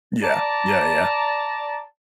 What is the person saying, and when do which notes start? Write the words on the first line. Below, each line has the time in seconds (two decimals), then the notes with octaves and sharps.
Yeah. Yeah, yeah.
0.23 D5 A5 A#5